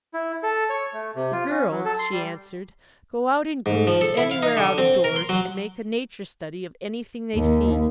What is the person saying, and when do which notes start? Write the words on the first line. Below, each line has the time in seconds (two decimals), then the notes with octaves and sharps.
"The girls," she answered, "go out in groups anywhere out of doors, and make a Nature Study of anything they see."
0.14 E4
0.43 A4
0.70 C#5
0.93 A3
1.15 C3
1.33 F4
1.50 C#4
1.71 F#3
1.85 A4
1.99 C6
2.12 G3
3.66 G#2
3.87 F3
4.01 A4
4.17 E4
4.31 F5
4.43 D#4
4.57 D3
4.78 C4
5.04 A#4
5.16 C6
5.29 F#3
7.35 D#2